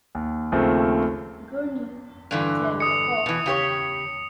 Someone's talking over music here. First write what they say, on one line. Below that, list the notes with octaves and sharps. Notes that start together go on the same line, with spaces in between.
Gurney, David Paul.
D#2
D#2 C#3 F3 A3 A#3 C4
G2 D3 E3
D#6 C#7
B2 E3
C#3 G4 C#5